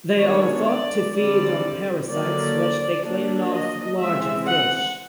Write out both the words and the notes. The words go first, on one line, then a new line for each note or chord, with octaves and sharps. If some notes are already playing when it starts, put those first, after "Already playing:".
They are thought to feed on parasites which they clean off larger fish.
D#3 G#3 B3 D4 C#5
D5
D3 G3 C4 D5
D3 F#3 A#3 D5
F#3 A#3 D4
D#5
E3 G#3 C4 E5
F#5